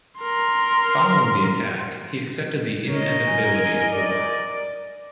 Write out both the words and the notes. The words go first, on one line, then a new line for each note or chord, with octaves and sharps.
Following the attack, he accepted the inevitability of war.
A#4 C6
A#4 C#5 D#5
G#5
D5